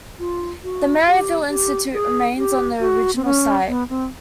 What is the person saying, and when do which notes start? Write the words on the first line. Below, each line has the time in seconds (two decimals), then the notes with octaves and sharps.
The Maryvale Institute remains on the original site.
0.19 F4
0.63 F#4
1.07 G4
1.49 G4
1.93 G#4
2.38 G4
2.80 F#4
3.17 C4
3.25 C#4
3.69 B3
3.90 C4